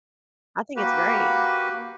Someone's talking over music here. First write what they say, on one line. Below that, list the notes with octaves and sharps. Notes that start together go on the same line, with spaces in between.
I think it's great.
A#3 F#4 G4 B4